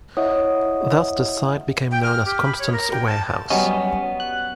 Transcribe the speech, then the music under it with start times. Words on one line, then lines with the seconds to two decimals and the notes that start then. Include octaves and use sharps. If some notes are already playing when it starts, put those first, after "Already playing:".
Thus the site became known as Constant's Warehouse.
0.17 E4 C#5 D#5 E5 F#5 D#6
1.91 G5
2.03 F6
2.25 G4
2.43 B5
2.59 C#5
2.73 A#4
2.92 G5
3.07 A5
3.50 F#3 G3 B3 C#4 D#5
4.20 F#6